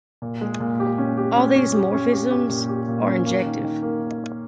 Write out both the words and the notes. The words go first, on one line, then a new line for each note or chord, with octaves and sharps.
All these morphisms are injective.
A#2
G#3
A#2
G4
C#4
G4
C#4
C#4
G4
C#4
G4
G4
A#2
G4
A#2
C#4
A#3
D#3
D#3
A#3